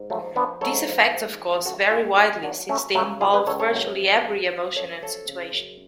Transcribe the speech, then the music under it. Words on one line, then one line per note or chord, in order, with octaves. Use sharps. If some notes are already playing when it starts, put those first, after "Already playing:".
These effects of course vary widely, since they involve virtually every emotion and situation.
Already playing: G#2
F3 F#3 A3
F3 B3 D4
G#2 A4 C#5
F3
G#2
F3
C#2 F#4 A4
C#2 F4 G#4
C#3 F4 G#4
F#3 D4 F#4
F#3 A3 C#4
C#3 F#3 A3
C#2 F4 G#4
G#4 B4
C#2 A4 C#5
A4 C#5
F#2
F3
F#2
F3
F#2 A4 C#5
F3 A4 C#5
C#3
F#2